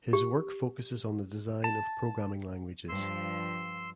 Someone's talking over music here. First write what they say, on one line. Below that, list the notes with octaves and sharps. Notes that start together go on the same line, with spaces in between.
His work focuses on the design of programming languages.
G4
A5
G2 F3 C6 E6